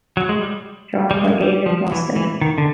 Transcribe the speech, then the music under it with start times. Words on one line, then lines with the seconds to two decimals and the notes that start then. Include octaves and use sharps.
Drawn by David Mostyn.
0.17 F#3
0.29 G#3
0.41 G3
1.11 G3
1.17 G#3
1.42 G3
1.66 F3
1.92 E3
2.16 E3
2.41 D#3
2.58 D3